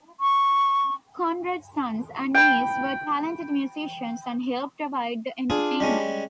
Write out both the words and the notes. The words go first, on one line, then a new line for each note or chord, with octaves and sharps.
Conrad's sons and niece were talented musicians and helped provide the entertainment.
C#6
G5 B5
D4 F4 G#4
G3 G#3 C#4